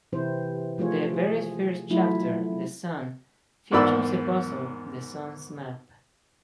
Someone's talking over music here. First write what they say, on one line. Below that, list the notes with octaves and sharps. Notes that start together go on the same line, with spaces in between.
The very first chapter, "The Sun", features the puzzle "The Sun's Map".
C3 E3 C4 E4 C5
F3 A3 F4 G#4 C#5
G#4
F#3 A3 E4 F4
E2 G#2 D#3 D5 B5 E6